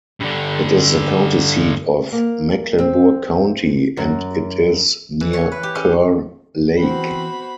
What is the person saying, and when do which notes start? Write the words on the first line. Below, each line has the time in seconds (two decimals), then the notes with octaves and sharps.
It is the county seat of Mecklenburg County, and it is near Kerr Lake.
0.21 G2 D3
2.12 A#3
2.79 C4
3.97 F#2
5.21 E3
5.33 C#5
5.52 B4
5.63 G4
5.75 C#4
6.80 E3 B3 C4 F#4 C5 B5